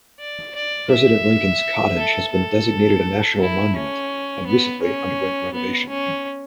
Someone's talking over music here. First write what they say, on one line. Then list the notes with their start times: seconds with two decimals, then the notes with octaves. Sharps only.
President Lincoln's Cottage has been designated a National Monument, and recently underwent renovation.
0.20 D5
0.55 D5
0.91 E5
1.97 A4
2.33 A4
3.40 E4
3.76 C#4
4.47 B3
4.83 C#4
5.54 B3
5.89 C#4